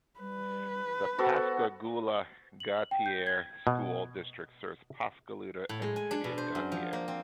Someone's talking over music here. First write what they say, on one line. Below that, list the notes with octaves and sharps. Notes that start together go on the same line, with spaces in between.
The Pascagoula-Gautier School District serves Pascagoula and the City of Gautier.
G3 B4
B3 F#4 A4 C5
F#7
G5
G6
G#6
B2
A2
G#3
G#5
D4
B2
C5
F#2
F3
A#3
C4